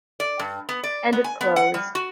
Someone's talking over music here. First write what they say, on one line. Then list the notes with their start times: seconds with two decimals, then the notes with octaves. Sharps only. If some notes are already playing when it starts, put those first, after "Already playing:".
And it closed.
0.20 D5
0.39 G2
0.69 B3
0.84 D5
1.13 B3
1.24 G#5
1.41 B3
1.56 F#5
1.74 G3
1.95 F#4